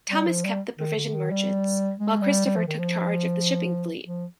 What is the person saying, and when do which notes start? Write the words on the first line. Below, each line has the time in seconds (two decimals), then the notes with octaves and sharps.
Thomas kept the provision merchants, while Christopher took charge of the shipping fleet.
0.10 G3
0.26 F3
0.45 G3
0.79 D#3
0.96 D3
1.13 D#3
1.31 G3
2.00 G#3
2.21 G3
2.45 G3
2.56 F3
2.67 D#3
2.79 F3
4.05 F3